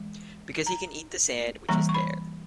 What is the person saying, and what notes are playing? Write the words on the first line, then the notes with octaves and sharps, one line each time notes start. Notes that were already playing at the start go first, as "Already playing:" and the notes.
Because he can eat the sand which is there.
Already playing: E3 G#3
A#5
E3 G3 A#3 A#5
C#6
B5